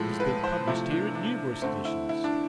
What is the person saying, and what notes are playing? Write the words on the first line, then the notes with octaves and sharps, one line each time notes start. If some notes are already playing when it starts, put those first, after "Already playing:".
It has been published here in numerous editions.
Already playing: A2 F3 G#3 A4
B4
C5
C3 F3 A3 E4
D4
D4
D3 A3 C4
E4
E4
D4